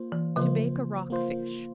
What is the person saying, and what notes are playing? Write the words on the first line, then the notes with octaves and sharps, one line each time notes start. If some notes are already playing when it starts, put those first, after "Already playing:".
To Bake a Rock Fish.
Already playing: A#3 F4 C5
E3
C#3 F3 A#3 F4 C5
A#3 F4 C5